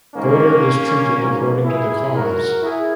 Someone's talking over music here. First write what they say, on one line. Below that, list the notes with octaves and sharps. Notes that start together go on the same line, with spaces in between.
Goitre is treated according to the cause.
G#2 D#3 G#3 A#3 C#4
G#2 F#3
E4 G#4
G#2 F#3 F#4 A#4
E4 G#4